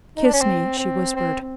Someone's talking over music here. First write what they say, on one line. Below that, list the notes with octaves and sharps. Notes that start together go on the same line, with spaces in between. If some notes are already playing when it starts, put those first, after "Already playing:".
"Kiss me," she whispered.
D#4
D4
C#4
C4
C4
C4
C4